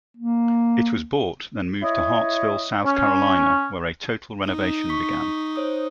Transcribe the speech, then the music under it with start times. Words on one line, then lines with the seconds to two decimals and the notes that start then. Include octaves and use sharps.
It was bought, then moved to Hartsville, South Carolina where a total renovation began.
0.17 A#3
1.82 E4 C#5 D#5
2.85 C#4
4.48 D#4
4.89 C#6 B6
5.56 C5 C#5 D#6